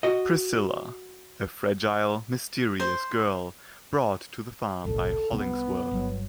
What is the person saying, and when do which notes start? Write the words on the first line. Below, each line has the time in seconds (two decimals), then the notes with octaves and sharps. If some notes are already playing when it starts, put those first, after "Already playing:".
Priscilla: A fragile, mysterious girl brought to the farm by Hollingsworth.
0.03 F#4 D#5
2.80 C5
4.85 G#1 C#2 A#2 A4
5.31 C2 C3 B3 C4
5.91 G1 F#3